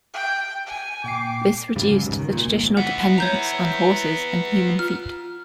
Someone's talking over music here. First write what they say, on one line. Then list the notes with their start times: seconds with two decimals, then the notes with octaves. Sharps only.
This reduced the traditional dependence on horses and human feet.
0.14 G5
0.66 G#5
1.04 A#2 G5 D6 C7
1.76 F2 G#2 C#3 G3
1.90 F#2
2.03 G#1 C#2 G#2
2.19 D#3
2.33 A#2
2.49 G1 G#2
2.77 E3 B3 F#5
3.18 C#5 A#5 G6 F7
4.79 F4 F6